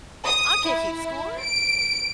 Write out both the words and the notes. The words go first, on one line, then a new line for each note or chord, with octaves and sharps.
I can't keep score.
D#6
E4
D7